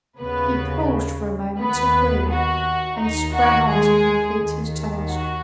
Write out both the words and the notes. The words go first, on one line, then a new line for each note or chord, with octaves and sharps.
He paused for a moment to breathe, and sprang on to complete his task.
D#2 C#3 B3 B4
D#2 D#3 B3 B4
F#4
D#2 D#3 D#4
F#4
G#3 G#4
D#2 D#3
F#4